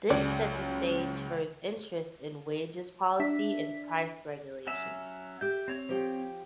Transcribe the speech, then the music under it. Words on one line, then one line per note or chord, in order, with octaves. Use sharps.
This set the stage for his interest in wages policy and price regulation.
C#2 C#3 F#3 C#4 D5
D4 E5 B6
F#3 C#4 E5
G4 E5 G6
C4 C#5
F3 G4 G5